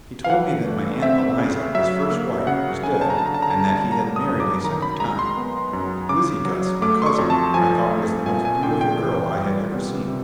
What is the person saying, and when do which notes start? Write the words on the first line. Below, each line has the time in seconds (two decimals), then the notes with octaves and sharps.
He told me that my Aunt Eliza, his first wife, was dead, and that he had married a second time; Lizzie Guss, my cousin, I thought was the most beautiful girl I had ever seen.
0.24 F5
0.30 E3 F#5
0.66 A3
1.02 C4 E5
1.38 C#3
1.75 F#3 E5
2.11 A#3
2.47 C#3 F#5
2.83 C#3 G#5
3.01 A5
3.10 A#5
3.18 D3 A5
3.26 A#5
3.34 A5
3.42 A#5
3.51 A5
3.56 G3 A#5
3.68 A5
3.92 A#3 A#5
4.16 D#6
4.28 F#2
4.40 D6
4.64 D#3 A#5
4.82 B5
5.00 G#3 A#5
5.19 C6
5.37 B3
5.73 F#2
6.09 C#3 D6
6.45 F#3
6.82 A3 D6
7.02 C6
7.06 C#6
7.18 F2
7.30 A5
7.54 F3 G#5
7.90 A3
8.26 A#2 G#5
8.45 G#5
8.63 A#2 G5
8.81 G5
8.99 E3
9.36 G3
9.71 B3
10.08 C3